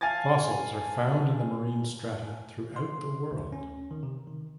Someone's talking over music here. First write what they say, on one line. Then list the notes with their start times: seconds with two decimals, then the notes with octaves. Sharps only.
Fossils are found in the marine strata throughout the world.
0.01 F5 G#5 A5 G#6 A6
2.76 C6
3.31 D2
3.53 C#4
3.91 D#3
4.03 C3
4.27 D#3